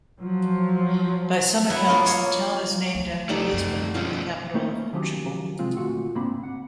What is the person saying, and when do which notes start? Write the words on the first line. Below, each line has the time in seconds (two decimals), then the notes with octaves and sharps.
By some accounts, the town is named after Lisbon, the capital of Portugal.
0.19 F3 F#3
1.70 F#3 B3 E4
1.88 A#3 F4 A#4 D#5
2.06 C#5
2.95 D2
3.29 F2 G3 A3 D#4 D6
3.53 F#2
3.94 B2 F3 G#3 C#4 F4
4.55 A3 A#3 C#4 E4 C5 C#5
4.93 D#3 F3 F#3 C#4 G4
5.59 C3 F3 G#3 C4 F4
5.77 A#2 D3 A3 F4 F#4 F#5
6.15 G#2 C#3 A#3 C4 D4 B5
6.43 F#5